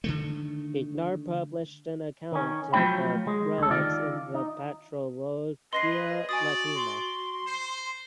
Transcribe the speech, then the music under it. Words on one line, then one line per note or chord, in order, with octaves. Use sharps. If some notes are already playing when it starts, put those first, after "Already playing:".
Guignard published an account of the relics in the Patrologia Latina.
D3 D#3 A3
D#3 C#4
F3 F#3 A3 D4 G5 B5
G#3
D2 A4
D#3 F4 D5
D#4
G#4 B4 D#5 C6 A#6 C7
F#4 D5 G#5 D#6 A6
C6
C5